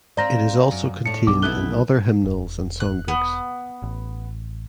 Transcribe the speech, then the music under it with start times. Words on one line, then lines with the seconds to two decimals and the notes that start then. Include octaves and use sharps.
It is also contained in other hymnals and songbooks.
0.17 C4 F4 C5 D5 A#5 A#6
0.71 F#2
1.06 A2 D4 C#7
1.27 B1 D6
1.42 A3 B3 E4 F#6 G7
2.24 E1
2.80 F#6
3.08 B3
3.82 A1